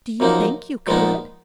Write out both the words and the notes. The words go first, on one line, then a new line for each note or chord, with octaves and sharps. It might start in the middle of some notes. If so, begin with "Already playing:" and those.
"Do you think you could?"
F#2 F3 A#3 D#4
A#2 F3 G#3 B3 D#4